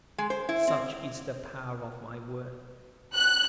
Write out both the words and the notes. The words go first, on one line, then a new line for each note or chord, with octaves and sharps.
Such is the power of my word!
G#3
C5
E4
C4
F#6